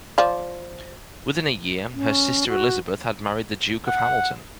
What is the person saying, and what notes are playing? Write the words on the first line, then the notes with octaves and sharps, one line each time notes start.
Within a year, her sister Elizabeth had married the Duke of Hamilton.
F3 D5 F5
C#4
F#4
F#5